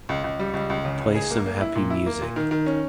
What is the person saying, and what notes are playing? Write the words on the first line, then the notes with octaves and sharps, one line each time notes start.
Play some happy music.
C#2
C#2
G3
C#2
C#2
C#3
C#2
G#4
A#3
A#3
E4
A#2
E4
A#3
A#2
D#3
D#3
C#4